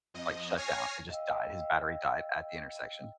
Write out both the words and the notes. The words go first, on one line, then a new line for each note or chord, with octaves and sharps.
like shut down. It just died, his battery died at the intersection,
F2 D#5
C#5 G#5 F6 A#6 C7
D#5 F5 G5 E6